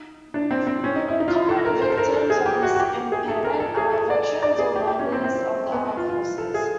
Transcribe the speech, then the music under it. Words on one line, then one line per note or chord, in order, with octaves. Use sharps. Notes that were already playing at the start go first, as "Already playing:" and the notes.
Common victims of this impairment are veterans or members of the armed forces.
Already playing: D#4
D4
C4
C4
C#4
D#4
E4
D#4
F4
E4
A4
A#4
C5
A4
A#4
A4
G#4
G4
F#4
F#4
G4
G#4
A4
A#4
A4
G#4
A4
D5
D5
G#4
G4
G4
C#4
C4
C4
B3
F4
F4
A4
G#4